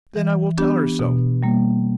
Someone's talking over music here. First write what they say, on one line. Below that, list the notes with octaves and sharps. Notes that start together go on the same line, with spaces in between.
"Then I will tell her so."
E3
B3 D4 G4
B2
G3 A#3